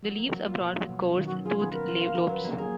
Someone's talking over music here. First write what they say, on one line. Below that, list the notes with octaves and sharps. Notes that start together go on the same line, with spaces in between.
The leaves are broad with coarse, toothed lobes.
F#3
A#3
F#3
F4
B2
F#3
B2
C#4
D#3 F4
F#4
F#3
F4 G#4
B3 G#4
B3 A#4
F4
F5
A#4
F#3 B4
A#3
G#4 A#4